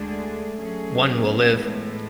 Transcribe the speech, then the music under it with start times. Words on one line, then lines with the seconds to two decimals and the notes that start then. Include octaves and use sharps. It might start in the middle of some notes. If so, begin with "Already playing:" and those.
One will live.
Already playing: D2 D3 G#3 D4 G#4
0.08 A3
0.57 F#3 C#4 G#4
1.06 B3
1.53 A2 E3 G#3